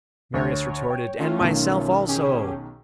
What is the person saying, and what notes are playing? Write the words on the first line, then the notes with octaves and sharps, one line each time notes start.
Marius retorted: "And myself also."
D2 C#5
G5
A3 C#4 F4
B1 D#3
C#4 G4 G#4